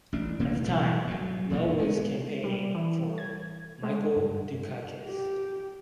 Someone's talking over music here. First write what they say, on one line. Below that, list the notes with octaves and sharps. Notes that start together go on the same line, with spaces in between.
At the time, Lowe was campaigning for Michael Dukakis.
A1 D4
A2 C3 A#3 B3
B2 E3 F#3 G3
G2 F#3
E1 A#2 D3 B3
G#3 B3
G3
E3
G#6
G#3
G2
G4